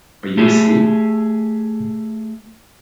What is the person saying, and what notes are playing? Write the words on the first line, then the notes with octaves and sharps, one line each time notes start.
Are you asleep?
A3 G4 G#4